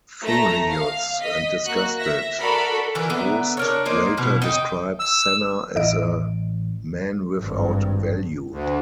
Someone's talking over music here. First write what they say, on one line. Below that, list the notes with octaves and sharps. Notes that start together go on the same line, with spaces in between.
Furious and disgusted, Prost later described Senna as "a man without value".
A3 A#5 A#6
F5
D#5 B6
A#3 F#4 F#6
E5 A#6
F#4 A4 A#4 D5 B5
D3 E3 E4 A#4
D3 B3 E5 A#5
D4 A#4 C#5
A#3 D#4 C5 D5
B2 F3 E4
D#4 G5
E6
A1 E4 D#5 D7
G#1 G2
D2